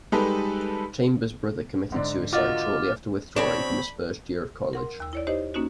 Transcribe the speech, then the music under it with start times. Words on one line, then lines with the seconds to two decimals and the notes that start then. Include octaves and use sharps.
Chambers' brother committed suicide shortly after withdrawing from his first year of college.
0.12 G3 G#3 D#4 G4 A4 B4
1.92 G#2 D3 D4
2.33 F4 F#4 A#4 D#5 F5 D6 F6 A6
3.36 B2 C4 D4 C#5 B5
4.73 A#4 F#5 C6
5.00 D#2 E6
5.13 E4 C#5 D5
5.27 D#4 G4 C5 C#5 D#5
5.54 A#3 C#4 D#4 F#4